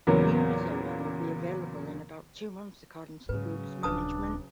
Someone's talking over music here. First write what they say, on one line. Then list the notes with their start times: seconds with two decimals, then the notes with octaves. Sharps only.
New material will be available in about two months according to the group's management.
0.07 E2 A#2 C#3 F#3 A#3 B3
3.29 G#2 C#3 F#3 B4
3.83 D#1 D4 B4 A5 D#6